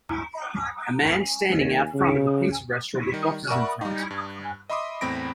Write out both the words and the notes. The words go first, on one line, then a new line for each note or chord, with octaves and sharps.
A man standing out front of a pizza restaurant with boxes in front.
D#2
C#3
D#3 G3
A#4 D5 E5 F#5
G3 D#4
G2
D#5 E5 B5 C6 D6 D#6
E2 A2 C4 B5 A#6 D7